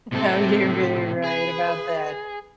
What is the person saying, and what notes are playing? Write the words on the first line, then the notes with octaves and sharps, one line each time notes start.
Oh, you're very right about that.
A2 C3 C4 A4
G#4 B4